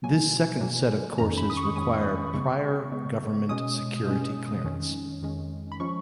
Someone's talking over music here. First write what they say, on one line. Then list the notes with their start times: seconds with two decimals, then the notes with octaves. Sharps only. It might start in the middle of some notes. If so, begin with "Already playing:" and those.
This second set of courses require prior government security clearance.
0.03 B2 F#3 A#3 G#5
0.61 B2 F#3 A#3
1.18 F2 D#3 G#3 C#4 A#5
1.38 B5
1.50 D#6
1.57 C#6
1.76 F2 D#3 G#3 C#4 D#6
2.34 C#3 G#3 B3 C#6
2.92 C#3 G#3 B3
3.49 B2 G#3 C#4 D#6
4.07 B2 G#3 C#4
4.64 F2 D#3 G#3 C#4
5.22 F2 D#3 G#3 C#4
5.72 B5
5.80 F3 G#3 C#4 C#6